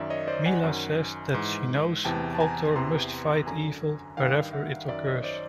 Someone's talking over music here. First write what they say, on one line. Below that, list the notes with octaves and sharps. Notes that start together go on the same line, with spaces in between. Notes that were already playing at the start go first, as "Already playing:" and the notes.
Mila says that she knows Ator must fight evil where ever it occurs.
Already playing: F#2 D#3 D5 E5
C#5 D#5
C5 D5
F#5 G#5
F#2 D#3
G#2 E3
E2 C3 E3 G5 A5
A5
G#5 A#5
E2 C3 E3 A#5 C6
F#2 D3 G#5 A#5
G2 D#3 F5 G5
E5 F#5
F#2 D#3 D5 E5
C#5 D#5
C5 D5